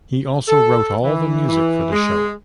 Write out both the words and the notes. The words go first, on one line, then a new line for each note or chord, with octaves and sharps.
He also wrote all the music for the show.
A4
E3
E3
G#3